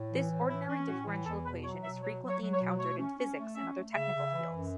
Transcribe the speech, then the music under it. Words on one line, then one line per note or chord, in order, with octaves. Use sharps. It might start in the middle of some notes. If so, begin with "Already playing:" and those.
This ordinary differential equation is frequently encountered in physics and other technical fields.
Already playing: A2
E3
A2
E3 E4
C#4
A2 F#4
E3
E2 A4
B2 B4
F#3 C#5
B2 E5
F#3 C#5
F#3
C#5
F#3
C#5
B2
A3 C#5
C#4
C#4
A3
C#4 E5
A3
C#3 E5
C#3
E3
F#2